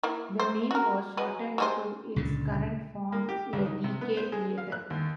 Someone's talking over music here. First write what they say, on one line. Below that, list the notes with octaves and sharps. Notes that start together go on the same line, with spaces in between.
The name was shortened to its current form a decade later.
A#3 E4
C5
F#4 A#4
F#3 G#3 B4
G3 G#3 C5
C#2 A#2 D3
A#3
G4
C#2
D#4
C3
B3
C5
G#3
F5
F#6
D#2